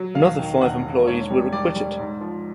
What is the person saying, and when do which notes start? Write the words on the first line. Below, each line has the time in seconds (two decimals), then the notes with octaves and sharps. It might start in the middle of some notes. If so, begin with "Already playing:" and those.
Another five employees were acquitted.
Already playing: F#3
0.15 E1 F5
0.38 D#3
0.61 E1 F#5
0.84 E1
1.07 G#2 C#5
1.30 G3
1.53 G3 D5
1.76 G3
1.99 G#2
2.21 F3